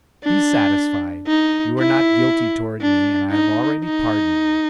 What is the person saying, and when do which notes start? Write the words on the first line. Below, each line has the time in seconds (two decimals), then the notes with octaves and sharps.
"Be satisfied; you are not guilty toward me, and I have already pardoned you."
0.24 D4
1.27 D#4
1.78 E4
2.81 D4
3.31 D#4
3.84 D#4